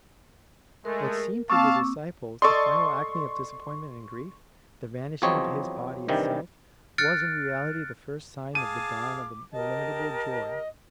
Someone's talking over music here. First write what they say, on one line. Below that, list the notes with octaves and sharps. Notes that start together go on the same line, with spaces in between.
What seemed to the disciples the final acme of disappointment and grief, the vanishing of his body itself, was in reality the first sign of the dawn of an illimitable joy.
G#3 A3 A#4
A#3 C4 F5 A5 C#6 D6 E6
A4 D5 D#5 C6 C#6
E2 F3 F#3 C4 C#5 D#5
G2 C3 D#3 E3 G3
F6 F#6 A6 C#7 D7
G#4 F5 A5 D6 D#7
G4 A#4 D#5 A5